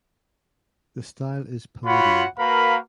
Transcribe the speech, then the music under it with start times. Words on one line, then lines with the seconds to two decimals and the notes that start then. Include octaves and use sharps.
The style is Palladian.
1.86 F4 F#4 C#5 F#5 B5
2.39 A#3 F#4 A#4 B4 F5 B5